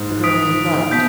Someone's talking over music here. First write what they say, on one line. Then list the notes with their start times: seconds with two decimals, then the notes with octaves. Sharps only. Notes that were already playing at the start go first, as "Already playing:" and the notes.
The girl he loved!
Already playing: G#2
0.24 D#6 B6 D7
0.91 B2 G6 B6